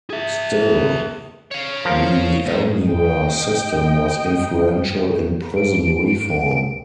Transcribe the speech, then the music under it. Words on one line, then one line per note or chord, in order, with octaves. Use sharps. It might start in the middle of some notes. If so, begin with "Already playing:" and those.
Still, the Elmira system was influential in prison reform.
G#4 E5
C#5 F5
F3 A#4
G#2
D#5 G5
D7